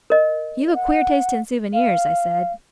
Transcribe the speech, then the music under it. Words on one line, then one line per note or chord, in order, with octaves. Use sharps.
'You've a queer taste in souvenirs,' I said.
A#4 D#5
F#5
F5